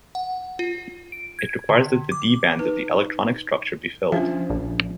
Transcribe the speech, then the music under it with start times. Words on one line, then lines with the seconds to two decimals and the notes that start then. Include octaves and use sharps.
It requires that the d bands of the electronic structure be filled.
0.15 F#5
0.59 F4
1.12 D7
1.39 G#6
1.69 D3
2.12 D6
2.59 D#4 B4
4.12 F3 C#4 D4 E5
4.50 A#1